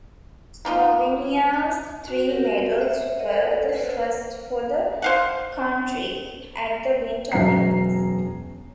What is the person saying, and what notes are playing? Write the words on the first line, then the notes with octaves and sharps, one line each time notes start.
Slovenia's three medals were the first for the country at the Winter Olympics.
A#3 D#4 F4
F#4
F#4 G4 A#4 B4 F#5
C5 C#5 E5
A#4 C#5 D#5 E5 F#5
A4
B4 C5 F#5
C5 F5 F#5
E1 F#2 C#4 A#5 C7